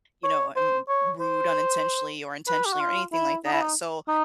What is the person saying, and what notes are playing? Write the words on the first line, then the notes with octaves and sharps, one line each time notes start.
you know, I'm rude unintentionally or intentionally or anything like that. So
C#5
C5
C#5
C5
B4
G4
F#4
F4
E4
D#4
E4
D#4
D#4